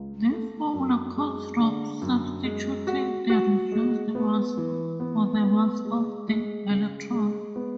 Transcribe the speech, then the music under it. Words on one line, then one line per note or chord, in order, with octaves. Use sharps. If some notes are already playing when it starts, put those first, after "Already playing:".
This formula comes from substituting the reduced mass for the mass of the electron.
Already playing: C#2
A3
F#2
G#3
D3
F#2
G#3
F#4
F#4
G#3
B3
E3
B3
B3
G#3
G#3
C#3
G#3
B3